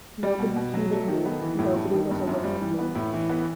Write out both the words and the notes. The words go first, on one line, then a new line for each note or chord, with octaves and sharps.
Nobody heeded me, nobody was aware of me.
G3
B2
B2
F#3
A3
D#3
B3
E3
A2
G2
D#3
G2
F#2
G3
E3
B3
A2
E3
B3